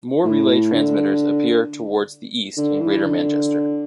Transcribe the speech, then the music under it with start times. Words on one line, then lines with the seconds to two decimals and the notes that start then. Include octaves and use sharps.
More Relay Transmitters appear towards the east in Greater Manchester.
0.24 A2
0.71 D3
2.57 D3
2.80 E3
3.04 D3